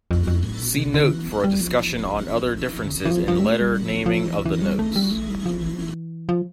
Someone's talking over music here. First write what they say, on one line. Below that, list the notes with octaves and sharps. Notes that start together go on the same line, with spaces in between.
See note for a discussion on other differences in letter naming of the notes.
F2
F2
A2
A#2
C3
D3
E3
G3
F3
D3
E3
E3
F3
F3
G3
A3
G3
F3
F3
E3
E3
G3
A3
G3
A3
G3
F3
E3
F3
E3
F3